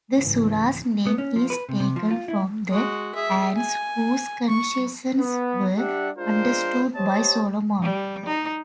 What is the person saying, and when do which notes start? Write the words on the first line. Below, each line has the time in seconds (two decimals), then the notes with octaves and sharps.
The sura's name is taken from the ants whose conversations were understood by Solomon.
0.17 G#1 C#2 G#2 C#3 E3
1.07 B3
1.18 C#4
1.36 F3
1.50 B4
1.69 C3
1.80 C3
1.96 F3
2.11 F4
2.28 E4
2.70 G#3 F#4
3.15 G#4 E5
3.57 G#5
4.48 C#6
5.19 B3
5.77 G3 D4 G4 E5 F#5
6.18 G#3 D4 F4 A#4 C5
6.96 G4 C5 C#5 D#5 A5
7.82 G3
8.26 D#4